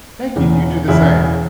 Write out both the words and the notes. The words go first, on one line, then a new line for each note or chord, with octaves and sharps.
Thank you. You do the same.
E1 E2 C#3 E3
E1 E2 C#3 E3 E4